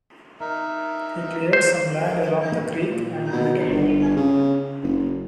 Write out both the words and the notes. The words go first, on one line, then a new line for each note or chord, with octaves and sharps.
He cleared some land along the creek and built a home.
D#4 A#4 E5
C5
A#2
B2
G1
C#3
F#1